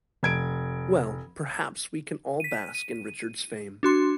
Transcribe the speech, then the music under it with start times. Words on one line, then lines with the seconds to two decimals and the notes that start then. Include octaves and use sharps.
Well, perhaps we can all bask in Richard's fame.
0.23 F1 G#6 D7
2.40 B6 D#7
2.75 D#7
3.83 D4 F#4 C6